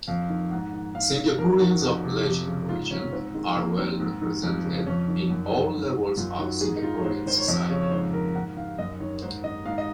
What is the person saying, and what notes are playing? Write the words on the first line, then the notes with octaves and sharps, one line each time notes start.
Singaporeans of Malaysian origin are well represented in all levels of Singaporean society.
F2 F5
D#3
G#2 F#5
D#3
G#2 F5
D#3
F2 A#4
D#3 F#4
F2
C3
F2
C#3
G#2 F4
D#3 C#4
G#2 C4
D#3 G#3
F2 A#3
D#3 C4
G#2
D#3
F2
C#3
F2 C#4
D#3
F#2
D#3
G#2
D#3
F#2 F4
D#3 F#4
G#2 G#4
D#4
D#3 F4
C#5
G#2 C5
D#3 C5
C#5
F2 D#5
C#3 C#5
C#5
G#2 C5
D#3 A#4
G#2 F#5
D#3 F5
F#2 D#5
D#3 C#5
G#2 C5
D#3 D#5
G#2 F5
D#5